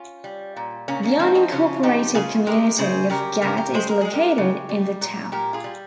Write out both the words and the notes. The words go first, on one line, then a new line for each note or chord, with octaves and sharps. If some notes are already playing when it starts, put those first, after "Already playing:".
The unincorporated community of Gad is located in the town.
Already playing: C#4 F4
G3
A#2
C#3 A#3 C#4
A#3 C#4
F3 C4 D#4
C4 D#4
C#3 C#4 F4
F3 D#4 G4
C#3 F4 G#4
G#3 G4 A#4
C#3 G#4 C5
C#3 G4 A#4
C#3 G4 A#4
G4 A#4
G#3 G#4 C5
A#4
G#3 G#4
G4 A#4
C#3
G3
A#2
A#2 G4 A#4
F4 G#4
G3